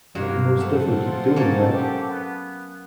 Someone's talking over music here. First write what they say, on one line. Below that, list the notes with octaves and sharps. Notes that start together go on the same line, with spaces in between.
I will most definitely keep doing that.
G2 F#3 A#3
A3 C4 A4 F#5
F4
A#3 C#4 C#5 A5
G4
B3